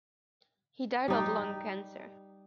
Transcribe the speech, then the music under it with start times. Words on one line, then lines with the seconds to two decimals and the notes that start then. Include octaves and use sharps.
He died of lung cancer.
1.08 G3 D#4